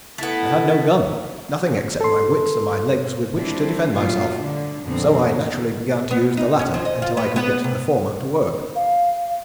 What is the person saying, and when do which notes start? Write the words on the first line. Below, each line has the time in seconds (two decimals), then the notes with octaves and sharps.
I had no gun; nothing except my wits and my legs with which to defend myself, so I naturally began to use the latter until I could get the former to work.
0.18 A3 B3 E4 A4
2.01 A4 C6
3.37 G3 C4 D4 E4
3.91 A#2 F#3 G3 A3 F4
4.41 D3 D4
4.83 F2 A#2 D3 F3 B3 C4
5.23 B2 D#3
6.11 B3
6.37 D#4
6.59 C#4
6.74 F3
6.85 D#5
7.02 F4
7.17 B3
7.36 B3
7.64 C3
8.76 F5